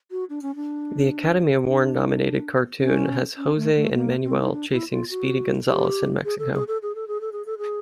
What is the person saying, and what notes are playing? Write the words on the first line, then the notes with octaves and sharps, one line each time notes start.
The Academy Award-nominated cartoon has Jose and Manuel chasing Speedy Gonzales in Mexico.
F#4
D4
C#4
D4
D4
C#4
C#4
A3
A3
A#3
C4
D#4
D4
E4
F4
F#4
G4
G#4
A4
G#4
A4
G#4
A4
G#4
A4
G#4
A4
G#4